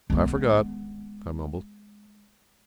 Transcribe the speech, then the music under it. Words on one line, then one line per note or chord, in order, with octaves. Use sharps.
"I forgot," I mumbled.
G#3 B3